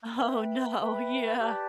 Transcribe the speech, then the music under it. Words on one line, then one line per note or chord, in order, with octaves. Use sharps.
Oh, no. Yeah.
B4 E5 G5
B4 E5 G5
G4 B4 D5 A5